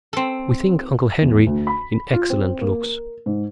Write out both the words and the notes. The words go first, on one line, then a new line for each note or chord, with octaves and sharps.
We think uncle Henry in excellent looks.
C4 A4
E2
D2
B5
F4
C4
A#3
A#4
G#2